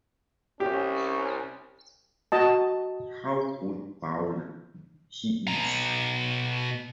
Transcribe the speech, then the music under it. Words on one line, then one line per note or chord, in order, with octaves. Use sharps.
How good bowler he is?
C2 C#4 G4
F#4 D#5 A5
B2 A#5